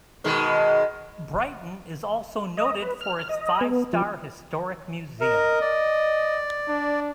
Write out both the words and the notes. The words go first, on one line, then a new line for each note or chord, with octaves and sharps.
Brighton is also noted for its five star historic museum.
B2 D#3 G#3
D#5
B4
F6
D#5
B3
F3
A#4 D#5
D5
D4